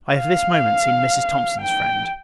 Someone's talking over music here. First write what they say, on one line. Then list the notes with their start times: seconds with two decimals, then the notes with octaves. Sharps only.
I have this moment seen Mrs. Thomson's friend.
0.15 F5
1.61 G5